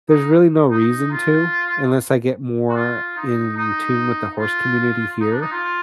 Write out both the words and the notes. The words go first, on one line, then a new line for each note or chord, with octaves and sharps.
there's really no reason to, unless I get more in tune with the horse community here.
D#4
D#4
F4
F#4
F4
D#4
D#4
F4
D#4
D4
D#4
F4